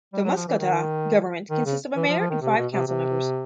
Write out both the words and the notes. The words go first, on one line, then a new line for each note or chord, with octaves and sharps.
The Muscotah government consists of a mayor and five council members.
G3
F#3
F3
E3
D#3
D#3
C#3
E3
F3
F3
D#3
C3
B2
C3
C3